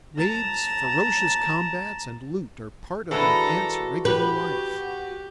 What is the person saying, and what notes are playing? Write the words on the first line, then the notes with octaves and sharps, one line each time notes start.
Raids, ferocious combats, and loot are part of an ant's regular life.
A5 A#5
E3 G#3 D4 F#4 A4 A#5
G4 B4